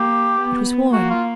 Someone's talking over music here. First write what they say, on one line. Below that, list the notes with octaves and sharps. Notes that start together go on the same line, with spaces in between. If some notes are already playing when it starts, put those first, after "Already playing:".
It was warm.
Already playing: A#3 G4
B3
A#3 F#4
F4